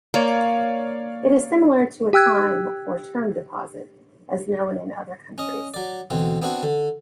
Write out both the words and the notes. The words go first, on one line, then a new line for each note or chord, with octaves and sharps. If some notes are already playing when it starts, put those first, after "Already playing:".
It is similar to a time or term deposit as known in other countries.
A#3 C#5 D5 F5
G4 G5 E6 F#6 G#6
C#4 D#5
F#3 D5
D2 B2 E3 C4
B3 C4 D4 E4 F#4
D3